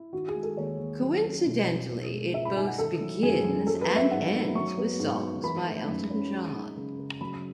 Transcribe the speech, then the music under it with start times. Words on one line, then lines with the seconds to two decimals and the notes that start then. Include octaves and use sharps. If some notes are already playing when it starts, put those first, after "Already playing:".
Coincidentally, it both begins and ends with songs by Elton John.
Already playing: E4
0.13 D#3 F#4
0.28 G#4
0.35 G#3
0.43 A4
0.57 D#2 C#5
0.79 D#2
1.01 F#3
1.23 C#4
1.46 B2
1.68 E4
1.90 B2
2.12 G#3
2.34 C#2 E5
2.45 B5
2.56 D#4 G#5
2.67 F#5
2.78 D#3 A4
3.00 F#3
3.23 F#2 G#4
3.44 F#2
3.67 F#3 A4
3.81 B4
3.89 B3
3.96 E5
4.11 G#2 F#5
4.34 D#4
4.55 F#3 C#6
4.78 B3
4.99 G#2
5.22 G#2
5.43 E3 B5
5.66 A3
5.88 F#2
6.10 C#4
6.32 G#3
6.54 D#4
6.76 C#3
6.99 C#3
7.21 F#3 B5